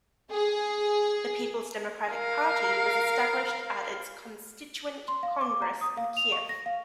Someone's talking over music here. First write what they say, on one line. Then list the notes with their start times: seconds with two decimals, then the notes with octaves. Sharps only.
The People's Democratic Party was established at its constituent congress in Kiev.
0.32 G#4
2.10 A#4 F5
5.08 C6
5.23 F5
5.41 D6
5.62 A#5
5.81 D#6
5.97 F5
6.17 F7
6.32 C#6
6.49 A#6
6.66 F5